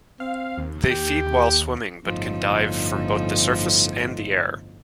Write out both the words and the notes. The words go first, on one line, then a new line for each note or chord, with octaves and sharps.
They feed while swimming but can dive from both the surface and the air.
C4 F5
D#2
G4
G1 A2 F3 D#4